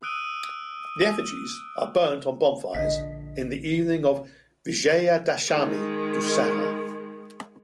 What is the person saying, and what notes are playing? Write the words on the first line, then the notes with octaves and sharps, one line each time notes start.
The effigies are burnt on bonfires in the evening of Vijayadashami-Dussehra.
D#6 E6 F#6 D7 D#7 G7
A#1 D3 D#5 B6
D#3 G#3